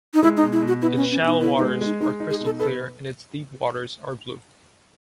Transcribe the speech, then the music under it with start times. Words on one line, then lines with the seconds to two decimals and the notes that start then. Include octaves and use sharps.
Its shallow waters are crystal clear and its deep waters are blue.
0.14 D#4
0.23 G#3 E4
0.37 D#4
0.43 B2
0.52 E4
0.62 B2
0.67 F#4
0.82 B3 E4
0.96 C#4
1.02 B3
1.12 C#4
1.22 B2 D#4
1.41 B3 E4
1.57 D#4
1.61 G#3
1.81 G#3 D#4
2.01 G#3 D#4
2.20 D#4
2.30 G#4
2.40 B2 A4
2.59 A4 B4